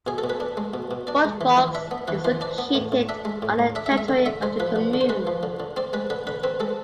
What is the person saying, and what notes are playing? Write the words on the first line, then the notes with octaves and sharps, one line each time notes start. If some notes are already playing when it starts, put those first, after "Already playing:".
Fort Vaux is located on the territory of the commune.
B2 G#4
A4
B2
B4
D4
G#3
B2
B2
D4 D5
G#3
E3
E3
D4 E5
B3
E3 B4
E3 C5
D4 D5
B3
A2
A2
D4 E5
G#3
A2
A2
D4 E5
E5
G#3
E5
D3
D3 E5
G#3 C5
F3 B4
D3
D3
C5
G#3 B4
F3
D3
D3
C4 D5
G#3 B4
D3 B4
D3 B4
C4 B4
G#3 A4